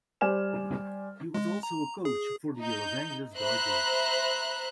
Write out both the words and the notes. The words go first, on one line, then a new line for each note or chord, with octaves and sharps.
He was also a coach for the Los Angeles Dodgers.
G3 C5 D5 G#5 F6 E7
G#3
A#5
G#4
D#4 G6
C5 E5 A#5 B5 F#6